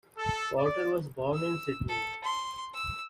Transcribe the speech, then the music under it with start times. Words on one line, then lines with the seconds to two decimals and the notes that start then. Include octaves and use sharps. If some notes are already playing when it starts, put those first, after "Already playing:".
Porter was born in Sydney.
0.17 A4
0.57 D5
1.34 E6
1.89 A4
2.24 C6
2.74 E6